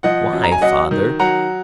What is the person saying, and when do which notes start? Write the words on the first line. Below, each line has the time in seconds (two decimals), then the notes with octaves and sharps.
"Why, father?"
0.03 F3 D#5 F#5
0.33 F#2
0.43 A#5
0.52 G#5
0.61 F#3 D#5 F#5
0.91 D#3
1.19 F#3 F#5 A#5